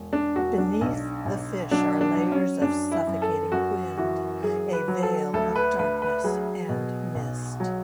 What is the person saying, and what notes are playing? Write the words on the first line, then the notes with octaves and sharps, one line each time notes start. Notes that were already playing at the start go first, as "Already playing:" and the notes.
Beneath the fish are layers of suffocating wind, a veil of darkness, and mist.
Already playing: E1
D4
E1 F#4
D4
B1
B1
F#3 D4
D4
F#3
C#4
F#2 D4
E4
F#2
A4
F#2 F#4
E3 F#4
F#3 G#4
B4
F#3
A4
D2 A4
B4
D2 B4
B4
F#3 G#4
B2
B1
F#3